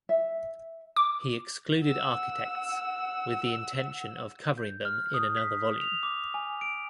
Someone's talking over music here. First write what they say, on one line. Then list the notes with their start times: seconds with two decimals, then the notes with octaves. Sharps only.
He excluded architects with the intention of covering them in another volume.
0.09 E5
0.96 D6
1.81 F#5 E6
4.58 G6
4.85 F6
5.14 D#6
5.37 B6
5.81 F7
6.03 D6
6.34 G#5
6.61 D7